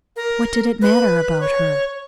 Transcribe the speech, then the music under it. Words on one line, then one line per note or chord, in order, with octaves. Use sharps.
What did it matter about her?
A#4
B4
C#5